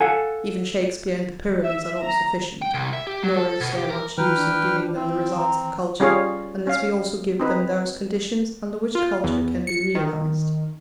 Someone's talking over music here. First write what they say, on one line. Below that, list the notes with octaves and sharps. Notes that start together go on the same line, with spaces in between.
Even Shakespeare and the Pyramids are not sufficient; nor is there much use in giving them the results of culture, unless we also give them those conditions under which culture can be realised.
A4 F5 F#5 G#5
E5
A#5
G5
C2
E5
G4
F#3
A4
B2
G4
A#4
E3 B4 G5 A#5 F6
D4
C4 E4
A#5
G3 C#4 F4 G#4 C#5 F5
C#4 F5
C4 D#4 B4
F4
E2
C#7
D#3